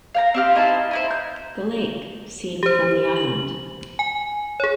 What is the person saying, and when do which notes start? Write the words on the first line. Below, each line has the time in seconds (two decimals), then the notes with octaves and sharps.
The lake seen from the island.
0.15 F5 G5 A#5
0.34 C4 G4 F5
0.55 D#4 E4 C5 A5
0.91 D#4 E4 C5
1.11 G6
2.63 G4 C5
3.16 F#7
3.99 G#5
4.60 G#4 C#5